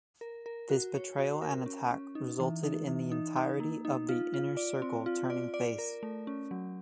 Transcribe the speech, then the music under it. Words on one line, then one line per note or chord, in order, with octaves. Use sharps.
This betrayal and attack resulted in the entirety of The Inner Circle turning face.
A#4
A#4
F#4
C#5
F#4
A#4
C#4
C#4
D#4
E3
D#4
E3
D#4
D#4
A#3
D#4
F4
F4
D5
C4
F4
D5
D5
A#4
A3
C#4
F#3